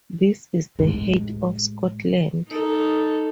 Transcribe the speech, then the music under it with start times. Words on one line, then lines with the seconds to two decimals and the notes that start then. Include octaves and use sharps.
This is the height of Scotland.
0.79 A1 G#3
2.49 D#4 A4